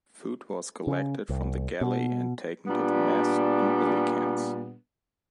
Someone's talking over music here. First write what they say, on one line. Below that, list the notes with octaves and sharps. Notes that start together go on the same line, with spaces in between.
Food was collected from the galley and taken to the mess in "billy cans".
C#3
C2
B2
A#2 G3 B3 D4